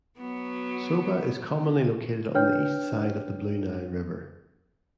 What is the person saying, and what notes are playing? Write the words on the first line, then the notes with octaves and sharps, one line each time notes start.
Soba is commonly located on the east side of the Blue Nile river.
F#3 B3
D4 B4 C#5 G5 F6 G6